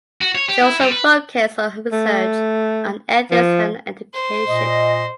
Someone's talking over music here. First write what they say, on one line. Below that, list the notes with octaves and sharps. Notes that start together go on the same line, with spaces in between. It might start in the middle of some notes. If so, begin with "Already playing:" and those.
She also focused her research on ethics and education.
F#4
C#5
G4
E4
G3
B4
A3
F3
C5
A#2 D#5